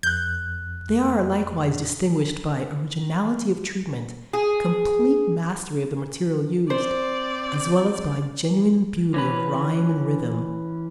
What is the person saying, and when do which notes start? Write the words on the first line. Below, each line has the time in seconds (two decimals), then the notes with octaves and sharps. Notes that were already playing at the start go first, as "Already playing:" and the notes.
They are, likewise, distinguished by originality of treatment, complete mastery of the material used, as well as by genuine beauty of rhyme and rhythm.
0.03 F2 F#6 G6
4.33 G#4
6.70 C4 C5 D5
9.14 E3 C#4 B4